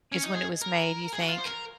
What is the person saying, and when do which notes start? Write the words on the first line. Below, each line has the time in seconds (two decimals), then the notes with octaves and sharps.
i is when it was made, you think?
0.12 C#4
0.23 D#4
0.35 G#4
0.62 A#4
1.13 G#4
1.22 F#4
1.29 F4
1.38 C5
1.46 A#4